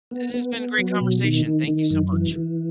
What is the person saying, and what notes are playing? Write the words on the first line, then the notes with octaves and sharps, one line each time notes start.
This has been a great conversation. Thank you so much.
B3
B3
B3
F#3
B2
D#3
D#3
D#3
F#2
E3
E3